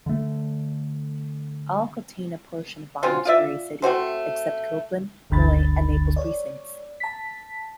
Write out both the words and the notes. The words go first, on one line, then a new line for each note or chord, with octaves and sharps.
All contain a portion of Bonners Ferry City except Copeland, Moyie, and Naples precincts.
D3 A3
F#3 C4 C#4 F4
F4 D5 E5
A3 C4 F#4 C5
G1 D2 D3 B5 A6
C#5 D5
A5 B6